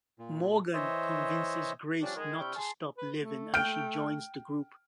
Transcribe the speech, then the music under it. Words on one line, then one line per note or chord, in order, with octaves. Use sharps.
Morgan convinces Grace not to stop living and she joins the group.
A#2
E3 C5 C#5 D#5 E5
F3 G3 C#4 D4
D#3 G#3 G#4
C3 D4 E4 G5 C#6 F6
G#4 A5 C6
B4
A3
G5 F6 D7